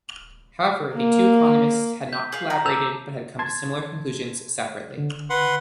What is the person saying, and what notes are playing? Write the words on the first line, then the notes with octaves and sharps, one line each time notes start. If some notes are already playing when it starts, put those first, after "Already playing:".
However, the two economists had not collaborated but had come to similar conclusions separately.
A#3
G6 B6
G#4 F5 F#7
A#5
A5 D6 E6 G6 F7
A5 C6 G#6
D3
B4 F#5 C6